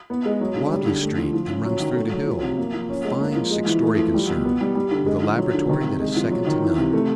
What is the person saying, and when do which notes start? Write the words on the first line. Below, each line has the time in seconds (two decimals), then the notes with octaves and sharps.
"Wadley street and runs through to Hill--a fine six-story concern, with a laboratory that is second to none."
0.10 B3
0.25 G#3
0.41 F#3
0.56 D3
0.72 G3
0.87 D3
1.02 A3
1.18 F3
1.34 F3
1.50 C#3
1.64 F#3
1.80 D#3
1.95 A3
2.12 F#3
2.27 F3
2.42 C3
2.58 A#3
2.74 F3
2.89 C#4
3.05 G#3
3.20 A#3
3.36 F3
3.51 G#3
3.66 E3
3.83 A3
3.98 F3
4.14 G3
4.29 B2
4.45 B3
4.61 G3
4.75 G3
4.91 D3
5.06 G#3
5.23 F3
5.38 F#3
5.53 D3
5.69 D#3
5.84 C3
6.00 G#3
6.16 F3
6.31 F#3
6.46 D#3
6.62 E3
6.78 C3
6.93 A3